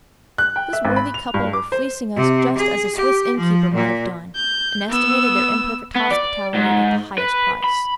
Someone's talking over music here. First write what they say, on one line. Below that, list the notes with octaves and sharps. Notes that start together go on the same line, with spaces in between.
This worthy couple were fleecing us just as a Swiss innkeeper might have done, and estimated their imperfect hospitality at the highest price.
F#6
G5
E5
G#1
B5
F7
G2
D6
C5
C3
G#4
G4
F3
A#2
G6
B3 E6
B3
D5
G#2
B4
B5